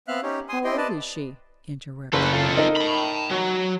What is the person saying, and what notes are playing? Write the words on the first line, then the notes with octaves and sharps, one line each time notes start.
"How old is she?" interrupted Rob.
B3 C4 E5 F5 F6 F#6
C#4 D#4 G4 C#5
G#5 C6 D#6
C4 E4 G4 D#5 G5 C6
B4 D5 D#5 A5
F#1 A4 B4
F4 A4
D#4 A#4
A5 B5
F#3